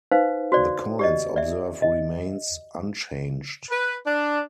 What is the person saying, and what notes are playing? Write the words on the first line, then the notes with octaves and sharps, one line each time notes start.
The coin's obverse remains unchanged.
D#4 B4 C5 F5
F#4 C5 D5
G4 D5 D#5
D5 E5
D#5
B4
D4